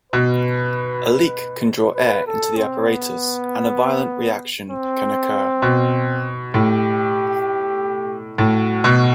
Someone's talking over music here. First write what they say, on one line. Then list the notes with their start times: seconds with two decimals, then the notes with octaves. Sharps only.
A leak can draw air into the apparatus and a violent reaction can occur.
0.12 B2 B4
1.95 B4
2.27 A4
2.57 C4
2.87 B3
4.70 C4
5.62 B2
6.54 A2 G4
8.38 A2 F#4
8.84 B2